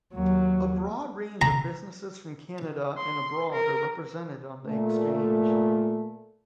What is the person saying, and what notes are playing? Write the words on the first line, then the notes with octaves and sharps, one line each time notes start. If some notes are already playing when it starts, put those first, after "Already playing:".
A broad range of businesses from Canada and abroad are represented on the exchange.
D#2 F#3
A#5
C6
A#4
A#2 A3